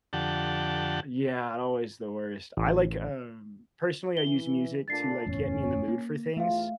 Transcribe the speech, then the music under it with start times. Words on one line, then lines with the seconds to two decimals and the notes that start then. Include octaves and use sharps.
Yeah, always the worst. I like, um, personally, I use music to, like, get me in the mood for things.
0.13 F2 D3 G4 F#5 A5
2.57 A1
4.17 E3 G7
4.88 A#2 A3 D4 A6 C7
5.26 F#1 E2 A2 C#4
5.88 A#3
6.37 E2 A3 F4 E5 F5